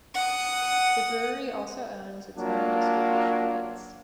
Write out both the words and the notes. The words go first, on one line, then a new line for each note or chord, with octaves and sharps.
The brewery also owns its own distribution rights.
F#5 D#6
F#3 A#3 D4 F4